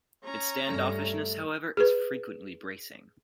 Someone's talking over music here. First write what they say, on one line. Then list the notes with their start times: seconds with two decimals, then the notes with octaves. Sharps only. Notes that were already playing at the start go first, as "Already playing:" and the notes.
Its stand-offishness, however, is frequently bracing.
0.23 C#4 A#5
0.68 G2 A3
1.77 G#4 B4